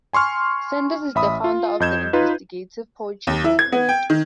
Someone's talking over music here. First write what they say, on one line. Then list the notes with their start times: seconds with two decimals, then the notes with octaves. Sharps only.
Sanders is the founder of the Investigative Poetry movement.
0.13 G#5 C6 C#6 F6
1.15 A1 E5 B5 D#6
1.44 F4
1.80 F2 D#5 G6 G#6 E7
2.13 D#4 F4 B4
3.27 D#2
3.44 E4
3.59 G#6
3.72 B3
3.89 G5
4.10 D#3